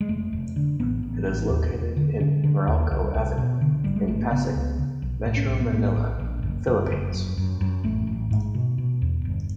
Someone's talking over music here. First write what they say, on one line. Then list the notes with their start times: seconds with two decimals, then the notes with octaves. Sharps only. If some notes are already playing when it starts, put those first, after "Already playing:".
It is located in Meralco Avenue in Pasig, Metro Manila, Philippines.
0.01 G#3
0.09 F1 A3
0.33 F1
0.56 D3
0.80 A1 B3
1.03 A1
1.26 A1
1.50 D#2
1.73 E1
1.97 D3
2.20 D3 C#4
2.44 D3
2.67 D#2
2.91 C2
3.14 C2
3.38 B2
3.61 D3
3.84 G#1 G3
3.96 G#3
4.08 G#1 A3
4.20 A#3
4.31 C#3 B3
4.55 C#2
4.79 C#3
5.02 B1
5.26 A2
5.37 C#4
5.49 B1 C4
5.61 B3
5.72 A2 A#3
5.96 A#1
6.19 A#1
6.43 F#1
6.67 F#1
6.90 F#1
7.14 F#2
7.37 F#2
7.61 F#2
7.84 A1 A3
8.07 A1
8.31 G#2
8.54 B2
8.78 B2
9.02 E2
9.25 G1